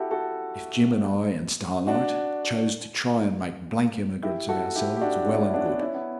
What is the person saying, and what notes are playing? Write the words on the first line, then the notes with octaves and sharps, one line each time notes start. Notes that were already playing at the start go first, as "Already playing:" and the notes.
If Jim and I and Starlight chose to try and make blank emigrants of ourselves, well and good.
Already playing: E4 F#4 G4 A4
F#4 A4
D4 F#4
E4 G4
F#4 A4
E4 G4
G4
D4 F#4
C#4 E4
E4
B3 D4
C#4 E4
B3